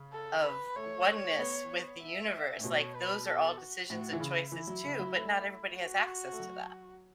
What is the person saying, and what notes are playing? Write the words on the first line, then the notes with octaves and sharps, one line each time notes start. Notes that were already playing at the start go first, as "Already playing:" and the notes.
of oneness with the universe? Like, those are all decisions and choices too, but not everybody has access to that.
Already playing: C#3
A4
B4
A3 C#5
A3
B3
E5
A2
B2 C#5
B4
A4
F#4
A2 F#4
E3
C#3 E4
E3 E4
F#3
C#3
F#3
A3
F#4
A3
F#3